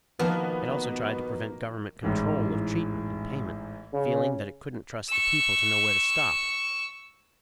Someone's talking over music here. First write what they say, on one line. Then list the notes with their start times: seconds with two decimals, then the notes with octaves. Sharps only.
It also tried to prevent government control of treatment and payment, feeling that it couldn't trust the people to know where to stop.
0.19 B2 D#3 F3 A#3 B3
2.03 A1 G#2 E3
3.93 C#3
5.09 C#6 E6